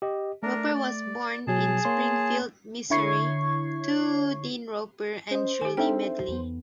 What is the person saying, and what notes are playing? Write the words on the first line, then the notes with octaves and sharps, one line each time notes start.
Roper was born in Springfield, Missouri, to Dean Roper and Shirley Medley.
G4 D#5
A3 D4 A#4
D5
B2 F#3 G#4 A5
A#3 C#5 C6
D3 E4 C#5 C#6 G#6 C7
C#4 C5 D#5
D#3 G4 G#5
C4 D4 D#4 A4 C5 E5 G5
E2 B3